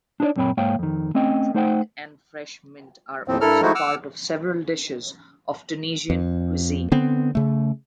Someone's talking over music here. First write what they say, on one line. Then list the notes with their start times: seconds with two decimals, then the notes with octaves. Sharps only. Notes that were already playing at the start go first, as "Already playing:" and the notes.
Dried and fresh mint are also part of several dishes of Tunisian cuisine.
0.20 D4 D#4 G4 B4 C#5 D5
0.36 F#2 A#2 C4 C#5 G5 B5
0.57 G#2 A#3 C#5 F5 G5
0.79 F2 D#3
1.14 A3 C4 C#4 D#5 G5
1.55 A3 D#4 C5 F#5 G5
3.28 D#2 A2 F3 C4
3.41 G2 E4 A4 A#4 F6
3.62 F3 G#3 A3 D#4 E4 F#4
3.75 F#5 D6 E6 F6
6.10 F2
6.92 D3 B3 C4
7.35 C#3 A3